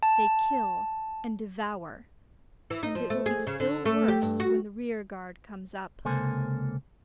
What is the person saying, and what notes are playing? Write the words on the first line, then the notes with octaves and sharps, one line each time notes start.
They kill and devour--and it will be still worse when the rear-guard comes up.
A5
E3
D#4
F3
A3
G#4
C#3
D3
A3
G4
G2
F#4
C#2 C3 A#3 A4 C5 G#5